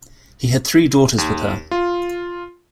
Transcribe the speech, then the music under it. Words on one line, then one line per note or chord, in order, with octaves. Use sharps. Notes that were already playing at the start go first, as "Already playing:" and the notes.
He had three daughters with her.
D#2
F4